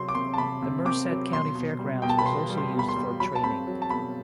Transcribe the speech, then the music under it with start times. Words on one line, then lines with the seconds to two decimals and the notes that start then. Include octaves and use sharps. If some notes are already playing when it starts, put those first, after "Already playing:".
The Merced County Fairgrounds was also used for training.
Already playing: C3 F#3 C4 C6
0.09 D6
0.15 C3 C6
0.34 A5
0.38 C3 B5
0.62 C3
0.85 C4 D6
1.10 F#3
1.32 B2 C6
1.55 B2
1.79 G3
2.02 B2 G5
2.09 A5
2.19 B5
2.26 B3 C6
2.50 G3
2.58 C6
2.73 B2
2.79 B5
2.89 C6
2.96 G3
3.20 F#3 B5
3.36 A5
3.43 C4 B5
3.67 F#3
3.82 A5
3.90 B2 B5